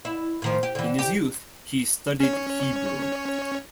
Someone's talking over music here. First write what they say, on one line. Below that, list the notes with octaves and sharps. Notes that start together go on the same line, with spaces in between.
In his youth, he studied Hebrew.
E4
A2 D#3 F3
G4
D3 E3
G4
C#4 C#5